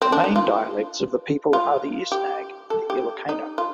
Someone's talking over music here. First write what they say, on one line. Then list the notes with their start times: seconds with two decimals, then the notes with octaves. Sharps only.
The main dialects of the people are the Isnag and the Ilocano.
0.02 C4
0.12 D4
0.24 D#4
0.36 F4
1.53 F4
2.12 G4
2.70 A4
2.90 G4
3.29 D#4
3.58 F4